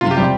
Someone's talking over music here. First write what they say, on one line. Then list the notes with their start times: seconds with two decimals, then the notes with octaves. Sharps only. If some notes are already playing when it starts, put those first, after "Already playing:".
you know,
0.01 C3 F4
0.11 G4
0.17 G3 C4